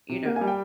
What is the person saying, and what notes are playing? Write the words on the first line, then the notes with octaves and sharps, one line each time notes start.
you know.
C3
A#3
G#5
G3
G5